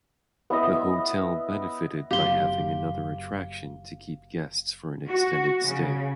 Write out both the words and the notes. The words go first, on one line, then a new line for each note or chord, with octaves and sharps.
The hotel benefited by having another attraction to keep guests for an extended stay.
B3 E4 D#5
F#1 F#2 G4 F5 C6
F#4
C#3